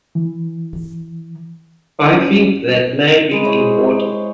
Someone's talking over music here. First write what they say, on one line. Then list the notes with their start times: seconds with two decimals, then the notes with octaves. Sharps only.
I think that may be important.
0.15 E3
2.13 C#4
3.31 G#3 B4
3.45 E4 G#4 C5 C#5